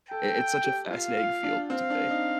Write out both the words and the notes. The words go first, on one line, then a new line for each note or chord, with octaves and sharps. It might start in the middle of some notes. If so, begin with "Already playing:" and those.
I it's such a fascinating field to me.
A4 G5
A4
G4
F4 F5
F4
D4
C4 F5
D4
D#4